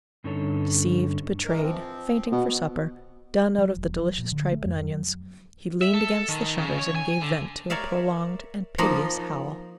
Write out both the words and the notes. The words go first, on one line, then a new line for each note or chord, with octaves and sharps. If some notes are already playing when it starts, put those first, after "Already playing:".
Deceived, betrayed, fainting for supper, done out of the delicious tripe and onions, he leaned against the shutters, and gave vent to a prolonged and piteous howl.
G2 D3 C#4 D#4 A4 C#5
E3 G#3 A#4
F3 C4
B2
F#3
E1
F3
A#2
D3
A3
F2
F#3
E5
A4
D#3
C#3
C#5
G#5
D3
A#4 C#5 D5 E5 F5
F3 A#3 D#4 F4 A#4 B5